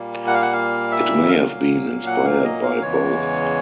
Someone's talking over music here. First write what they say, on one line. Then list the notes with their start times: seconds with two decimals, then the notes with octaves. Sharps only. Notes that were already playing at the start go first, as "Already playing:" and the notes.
It may have been inspired by both.
Already playing: A#2 G3 A#3
0.27 F#5
0.34 F5
0.42 F#5
0.52 F5
0.92 E5
1.29 A#2 F#3 A#3 F5
2.06 F#5
2.25 F5
2.44 D#5
2.63 F5
2.82 E2 C#3 E3 G#3 C#5